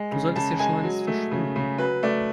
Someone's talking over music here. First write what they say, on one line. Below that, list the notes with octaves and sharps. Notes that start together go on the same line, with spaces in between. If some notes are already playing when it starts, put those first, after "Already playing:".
Du solltest hier schleunigst verschwinden.
Already playing: G#3
C#3
C#3 A5
G#3 G#5
F#3
A3
C#3
C#3
F#3 B4
A3 D5